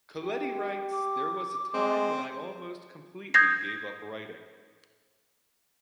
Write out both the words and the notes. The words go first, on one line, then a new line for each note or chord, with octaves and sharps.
Coletti writes, There was a time when I almost completely gave up writing.
G4
D6
G#3 C4
D#6 G6 G#6 A#6 C7